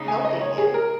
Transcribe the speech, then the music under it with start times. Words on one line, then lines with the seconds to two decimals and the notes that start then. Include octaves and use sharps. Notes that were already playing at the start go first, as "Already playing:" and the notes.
helping you.
Already playing: C#3 A#3 D#4
0.08 G#5
0.25 D#5
0.41 C#5
0.58 G#4
0.74 A#4